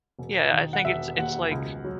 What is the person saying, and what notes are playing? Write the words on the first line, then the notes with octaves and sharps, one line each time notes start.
Yeah, I think it's it's like,
E1
D#3
F#5
E1 E5
D#2 F#5
C#2
F#3